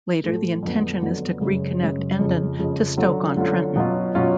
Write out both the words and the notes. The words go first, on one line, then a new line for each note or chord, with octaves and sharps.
Later, the intention is to reconnect Endon to Stoke-on-Trent.
A2 F3 A3
F2 D3 F#3 B3
F2 D3 F#3 B3
F#2 C#3 G#3 C#4
F#2 C#3 G#3 C#4
F2 C#3 F3 G#3
F2 C#3 F3 G#3
D3 F#3 C#4 F4
D3 F#3 C#4 F4
B2 F#3 C#4 F4
B2 F#3 C#4 F4